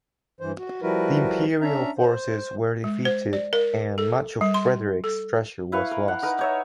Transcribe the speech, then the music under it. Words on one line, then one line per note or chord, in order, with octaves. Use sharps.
The Imperial forces were defeated and much of Frederick's treasure was lost.
G2 E3 C5
F#4
F3 G3 E4 F#4 A#4 B4
C#4 D4 E5 A#5
C5
G#3
C5
D5
A#4
A4
G3
C6
A4
E4 B4 F5 C#6
A#4
F#5
D#4 A#4 B4
D#4 C#5 E5